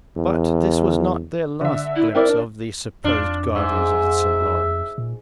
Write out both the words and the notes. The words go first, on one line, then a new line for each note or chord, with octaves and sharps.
But this was not their last glimpse of the supposed guardians of the St. Lawrence.
E2
D3 E5
E4
C4 E4 A#4 D5
D4
F2 D4 F4
G#2 E5
A#2